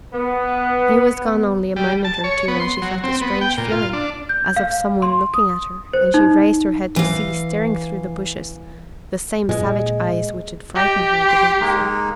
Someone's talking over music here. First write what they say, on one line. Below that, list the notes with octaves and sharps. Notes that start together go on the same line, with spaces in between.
He was gone only a moment or two when she felt a strange feeling as of some one looking at her, and she raised her head to see, staring through the bushes, the same savage eyes which had frightened her the day before.
B3
G3
A5
C#5
B3
C6
F#3
C4
B3
G5
A#2
F4
D4
G6
F5
C6
D#6
C5
D#4
E3 F5
A#2 G#3
G4 D#5
G5 C6
G#3 A#3 D#4